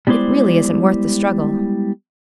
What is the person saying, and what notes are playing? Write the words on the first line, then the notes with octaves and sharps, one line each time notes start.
"It really isn't worth the struggle."
G3 G#3 B3 E4 C5 D5